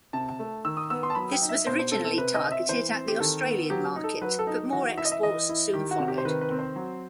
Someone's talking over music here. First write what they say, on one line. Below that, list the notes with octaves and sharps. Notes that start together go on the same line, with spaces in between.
This was originally targeted at the Australian market, but more exports soon followed.
C3 A5
A3
D#3 E6
D#6
B3 E6
C6
A5
F#3 B5
G5
D#4
E5
B2 C5
C5
C4 A4
A4
C3 B4
D#5
C4
E5
E3 C5
C4
G4
D#3 A4
B3
F#3 G4
D#4
A4
F#3 B4
A4
D#4
E3 F#4
E4 E5
D#5
E5
E3 D#5
E4
D#3 G4
F#4
C3
G4
C5
D#3 B4
B4
C4
C5
F#3